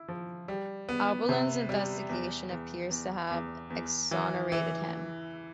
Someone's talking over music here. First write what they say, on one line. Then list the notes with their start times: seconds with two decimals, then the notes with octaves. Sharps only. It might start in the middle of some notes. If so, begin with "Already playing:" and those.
Abberline's investigation appears to have exonerated him.
Already playing: E4
0.08 F3
0.48 G3
0.89 B3
1.29 C3
1.69 G3
2.09 E2
2.50 E2
2.90 E2
3.30 E2
3.70 E2
4.11 E3
4.52 E3